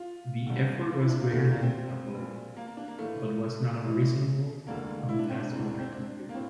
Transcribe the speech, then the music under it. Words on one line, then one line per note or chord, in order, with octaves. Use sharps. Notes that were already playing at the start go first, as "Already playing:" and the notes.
The effort was greater than above, but was not unreasonable on fast modern computers.
Already playing: F4
G1 G2 D3
F4
E4
D4
A#3
F1 E2 D3 A3
A3
A#3
C4
A#1 A#2
A#3
A#3
D4
A#3
A#1 A2 E3 A3
A1 A2 E3
E1 D2 D3 A#3
E4
D4
C4
D4
E1 D2 C3 E3
D4
C4
D4
A#3
A2 C4